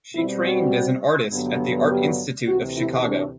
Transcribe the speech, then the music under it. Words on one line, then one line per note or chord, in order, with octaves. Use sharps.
She trained as an artist at the Art Institute of Chicago.
B2 G3 C4 E4
F#4
G2 D3 F#3 B3
G4
D2 C3 E3 F#4
E4
D4